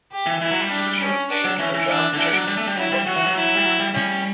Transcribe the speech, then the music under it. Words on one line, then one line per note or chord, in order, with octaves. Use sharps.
She was named for John Drake Sloat.
G4
E3
E3 E4
F#3
G3
D4
C#4
D4
F#3
E3 C#4
E3
D4
D3
E3 D4
F#3
G3
A3
G3
F#3 E4
G3
F#3 F#4
E3
F#3
E4
G3
F#3
G3
G3 C#4